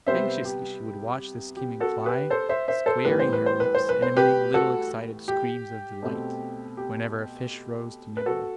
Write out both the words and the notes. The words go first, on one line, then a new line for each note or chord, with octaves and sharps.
Anxiously she would watch the skimming fly, squaring her lips and emitting little excited screams of delight, whenever a fish rose to nibble.
C3 G3 B3 C5 E5
G4
G4
F#4 A4
G4 B4
A4 C5
C5 E5
C5 E5
A4 C5
A2 E3 G3 B3 B4
C5
B4
C5
B4
C5
B4
C5
G4 B4
F#4 A4
G4
B2 A3 C4
G4
B4
F#4 A4